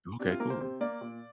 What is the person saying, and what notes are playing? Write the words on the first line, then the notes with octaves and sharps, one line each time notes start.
Okay, cool.
C3 D4
F4
A#3 A#4
C5
C3 C5
A#3 D5
A#2